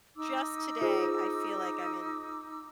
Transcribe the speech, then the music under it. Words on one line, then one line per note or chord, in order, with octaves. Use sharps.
just today, I feel like I'm in
D#4 D6 E6
F4 G#4 C5